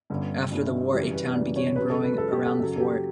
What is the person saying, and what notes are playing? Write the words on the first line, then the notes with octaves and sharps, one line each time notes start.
After the war, a town began growing around the fort.
G1 G2 D3 G3 C#4
G1 G2 D3 G3 C#4
E5
F#2 C#3 E3 G3 C#4 G4
B4
F#2 C#3 E3 G3 C#4 D5
C#5
C#2 C#3 F#3 B4
A4
B4
C#2 C#3 F#3 A4
G4
A4
F#2 C#3 F#3 A4
A4
G4